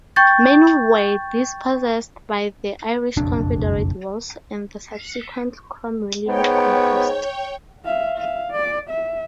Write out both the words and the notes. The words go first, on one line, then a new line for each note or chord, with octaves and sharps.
Many were dispossessed by the Irish Confederate Wars and the subsequent Cromwellian conquest.
G5 C#6 G6 A6
F#1 B1 F2 D4
G#2 B3 C#5 G5
E5 F5
E5 F5
D5
E5